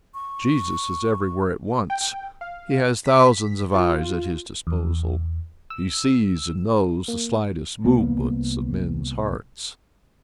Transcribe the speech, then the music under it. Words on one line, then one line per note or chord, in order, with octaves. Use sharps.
Jesus is everywhere at once; He has thousands of eyes at His disposal; He sees and knows the slightest movements of men's hearts.
C#6
G5
F5
B6
F4
E2
E6
A#3
C2 A#3 B3